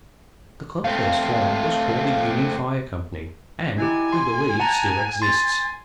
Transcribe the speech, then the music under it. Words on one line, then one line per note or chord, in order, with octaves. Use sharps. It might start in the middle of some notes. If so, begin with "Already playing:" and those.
The club first formed was called the UNION FIRE COMPANY, and, we believe, still exists.
A3 C4 F5
D#4 E4 G4 G#5
C6
F#5 A5 A#5
C6 A6